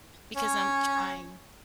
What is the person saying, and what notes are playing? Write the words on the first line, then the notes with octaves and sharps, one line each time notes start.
Because I'm trying
C#4